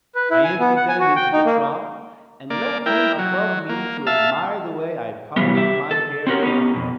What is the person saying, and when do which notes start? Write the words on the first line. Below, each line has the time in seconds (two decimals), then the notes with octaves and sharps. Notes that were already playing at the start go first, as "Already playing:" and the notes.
I emptied them into the trough, and left him above me to admire the way I parted my hair behind.
0.15 B4
0.31 E4
0.44 G#5
0.60 B3
0.76 F#5
0.89 G#5
1.00 F#4
1.16 G5
1.33 D#4
1.45 A#3
2.50 A#3 D5
2.86 E4 A#4 G5
3.19 F#3
3.69 A#3
4.07 E5 F5 A5
5.36 C3 E3 F#3 G3 B3
5.55 G4 E5
5.91 A4
6.27 C4 C#4 F#4 G4 A#4 C#5
6.43 B3 C#4 D#4 G4
6.74 F2 B2